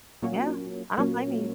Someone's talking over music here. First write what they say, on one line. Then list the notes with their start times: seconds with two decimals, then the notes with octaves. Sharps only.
Yeah. I don't blame you.
0.22 A#2 F#3 A#3 C#4
0.97 A#2 F#3 A#3 C#4